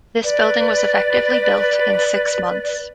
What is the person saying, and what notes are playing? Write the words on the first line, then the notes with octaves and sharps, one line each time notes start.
This building was effectively built in six months.
B4 D5